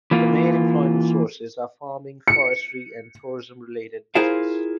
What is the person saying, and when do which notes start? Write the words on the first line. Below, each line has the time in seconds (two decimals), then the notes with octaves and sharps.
The main employment sources are farming, forestry and tourism-related business.
0.11 E3 A#3 F4
2.28 C#7
4.15 E4 F4 G#4 A#4 C5 F5